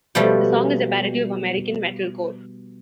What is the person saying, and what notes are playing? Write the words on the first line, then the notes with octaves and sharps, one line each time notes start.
The song is a parody of American metalcore.
B2 F3 G3 A3